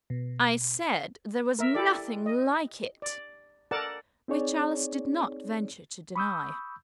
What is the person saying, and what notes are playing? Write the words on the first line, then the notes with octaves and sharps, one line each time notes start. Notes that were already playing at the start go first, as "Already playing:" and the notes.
'I said there was nothing LIKE it.' Which Alice did not venture to deny.
B2
A#4 E5
E4 G4 A4 D5
D#5
D5
A4 A#4 D5 F#5 A5
C4 D#4 G#4 C#5 D5
B5 C#6 D#6 E6 G6